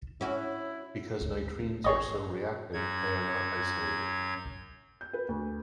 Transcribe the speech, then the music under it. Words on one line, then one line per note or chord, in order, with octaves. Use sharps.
Because nitrenes are so reactive, they are not isolated.
C#4 E4 F#4
A1 D2
D1
A1 E3 G#4 C#5 D#5
F#2 F#3 G#6
G6
B4
D2